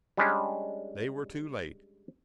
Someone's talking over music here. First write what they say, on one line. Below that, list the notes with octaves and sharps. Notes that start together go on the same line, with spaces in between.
They were too late.
G3 G#3 C#4 D4